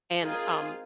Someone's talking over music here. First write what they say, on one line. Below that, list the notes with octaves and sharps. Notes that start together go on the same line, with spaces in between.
and, um
G#3 C4 D#4 F4 G#4 A#4